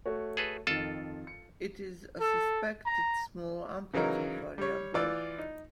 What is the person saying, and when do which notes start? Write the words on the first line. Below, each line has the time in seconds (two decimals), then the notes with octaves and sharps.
It is a suspected small amplitude variable.
0.06 A3 F#4 C#5
0.37 G#4 A4 B4
0.67 F2 D#3 F4 A4 A5
1.27 C#7
2.20 A4
2.86 A#5
3.94 C#3 E3 F#3 D#4 A#4
4.58 G3 C#5
4.94 E3 F4 D5 E6
5.38 D#4